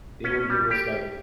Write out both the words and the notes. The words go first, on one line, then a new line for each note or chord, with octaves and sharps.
they would give us, like,
C#4
G3
G4